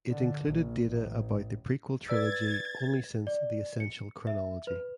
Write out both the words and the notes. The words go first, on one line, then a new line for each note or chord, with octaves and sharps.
It included data about the prequel trilogy only since "The Essential Chronology".
D3
A#1
A1
B4 D5 E6 G#6 A6
D5
C#7
E5
B4